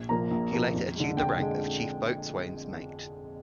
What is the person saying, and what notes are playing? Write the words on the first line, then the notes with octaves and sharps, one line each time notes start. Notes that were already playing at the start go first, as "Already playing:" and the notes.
He later achieved the rank of Chief Boatswain's Mate.
Already playing: A#1
A#2 F3 A#3 A#5
A#1
A#2 F3 A#3
F2
D3 G#3
F2 G5
D3 G#3